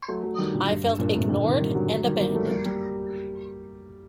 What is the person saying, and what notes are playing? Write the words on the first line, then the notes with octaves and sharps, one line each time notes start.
I felt ignored and abandoned.
F#3 A3
F#3 A3
D#3 G3
A#2 D3
G2
G2
G2 A#2
A2 C3
A#2 D3
C3 D#3
D#3 G3
D3 F#3
D3 F#3
D#3 G3
G3 A#3
F#3 A3
G3 A#3
G3 A#3